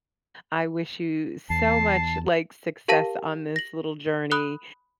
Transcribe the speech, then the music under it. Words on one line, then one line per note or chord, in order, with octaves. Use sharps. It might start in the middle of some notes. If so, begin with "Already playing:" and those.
I wish you so much, like, success on this little journey,
E2 A5 C7
G4 A#4 F5 A5 A#6 D#7
A#6 F#7
B5 D#6 F#6 G7